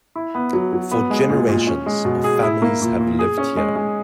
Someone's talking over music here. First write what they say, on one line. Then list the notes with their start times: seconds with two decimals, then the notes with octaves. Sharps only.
For generations, our families have lived here.
0.15 E4
0.35 B3
0.53 F#3
0.73 F#3
0.91 B3
1.10 G#3
1.29 A#2
1.48 A#2
1.67 C#4
1.86 G#3
2.05 B2
2.24 G#4
2.43 E4
2.62 A#3
2.81 A#2
3.00 A#2
3.19 G#4
3.37 C#4
3.57 G#3
3.76 G#3